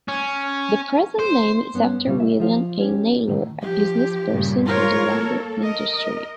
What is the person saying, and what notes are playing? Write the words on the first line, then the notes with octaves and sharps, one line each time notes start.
The present name is after William A. Naylor, a businessperson in the lumber industry.
C#4
C5
G2 B3 C#4
A#2 C#3 G3 F4
E5
F3 F4
C#4 G4
A2 D#3
F3 G4
G2 A#2 C#3
F4 A#4 C#5
A#3 A4
A#4 D#5